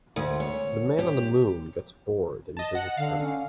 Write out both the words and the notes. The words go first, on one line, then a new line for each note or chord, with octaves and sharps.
The man on the moon gets bored and visits Earth.
D2
C#5
G4
D#5 A5
F#5
D3 F5
C#4